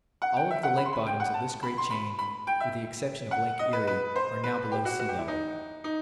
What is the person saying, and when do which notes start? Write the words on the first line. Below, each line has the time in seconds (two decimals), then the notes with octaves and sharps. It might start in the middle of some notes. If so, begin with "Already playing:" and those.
All of the lake bottoms of this great chain, with the exception of Lake Erie, are now below sea-level.
0.22 F#5
0.36 G5
0.51 E5
0.63 F#5
0.77 B5
0.86 C6
0.93 B5
1.06 G5
1.20 F#5
1.34 A5
1.63 B5
1.78 C6
1.91 B5
2.19 B5
2.47 G5
2.60 E5
3.31 F#5
3.59 D#5
3.73 B4
3.87 B4
4.16 C5
4.44 B4
4.72 G4
4.85 F#4
4.99 F#4
5.09 G4
5.18 E4
5.28 D#4
5.84 D#4